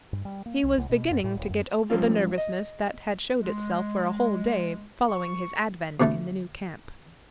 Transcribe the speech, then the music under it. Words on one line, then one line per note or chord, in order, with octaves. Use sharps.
He was beginning to get over the nervousness that had shown itself for a whole day following his advent in the new camp.
G2
G3
A#3
C2
C2
B2
F#2
A2
D#1
F#2
G#2 F3 G3 C4 C#4 F4
D#5
G#3
C#6
B2 D3 A3